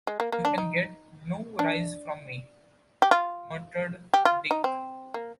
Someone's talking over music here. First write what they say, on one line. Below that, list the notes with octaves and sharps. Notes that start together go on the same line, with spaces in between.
"You can get no rise from me," muttered Dick.
G#3
A#3
A#3
D4
D#4
D4
G4
F4
G4
F4
D#4
C4
A#3